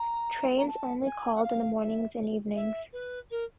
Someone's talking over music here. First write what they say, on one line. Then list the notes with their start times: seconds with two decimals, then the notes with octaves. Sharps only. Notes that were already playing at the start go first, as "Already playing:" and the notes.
Trains only called in the mornings and evenings.
Already playing: A#5
0.58 A#5
0.67 A5
1.05 G#5
1.35 F#5
1.43 F5
1.80 E5
2.55 E5
2.92 B4
3.30 A#4